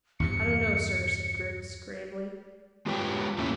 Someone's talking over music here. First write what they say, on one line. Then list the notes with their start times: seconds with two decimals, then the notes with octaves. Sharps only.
"I don't know, sir," said Griggs gravely.
0.20 E2 G2 C3 C#7
2.86 G#3 F4 G4 B4 C#5 G5
3.38 E2 A2 A3 A#3 C#4 E4